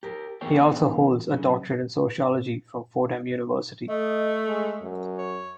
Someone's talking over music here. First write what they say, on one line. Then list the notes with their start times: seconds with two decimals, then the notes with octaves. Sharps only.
He also holds a doctorate in Sociology from Fordham University.
0.03 G4 A#4
0.41 E2 D#3 A#3 G#4 C#5 G5
1.31 F#2 C#3
3.89 A3 D#5
4.48 G#3
4.82 F#2
5.19 C#5